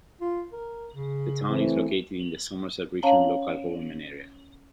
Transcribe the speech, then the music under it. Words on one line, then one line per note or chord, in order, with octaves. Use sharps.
The town is located in the Somerset Region local government area.
F4
A#4
C#3
E3 A3 C4
C#4 C#5 F5 A5 A#5